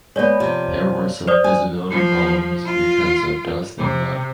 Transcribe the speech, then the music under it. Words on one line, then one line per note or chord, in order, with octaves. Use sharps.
There were some visibility problems because of dust and mud.
G#3 B3 C#5 D5
C3 F3
C5 D5 D#6
G#5
F3
F4
C3